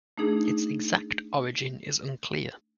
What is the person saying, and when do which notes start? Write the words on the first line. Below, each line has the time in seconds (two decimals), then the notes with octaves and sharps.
Its exact origin is unclear.
0.18 A3 D4 D#4 G#4